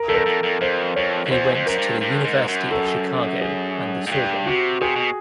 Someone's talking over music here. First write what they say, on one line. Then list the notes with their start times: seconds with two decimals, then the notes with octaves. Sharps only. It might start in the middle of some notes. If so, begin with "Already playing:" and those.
He went to the University of Chicago and the Sorbonne.
Already playing: A#4
0.08 F2 A4
0.15 A#4
0.26 F2
0.43 F2
0.61 F2 C5
0.96 F2 C#5
1.26 F2
1.31 E2 C5
1.55 F2
1.66 F#2 A#4
1.78 G2
2.01 G2
2.24 G#2
2.48 F#2
2.71 A4
3.41 G#4
4.07 G#2
4.11 G2 G4
4.46 C3 F#4
4.81 C3 G#4
4.96 B2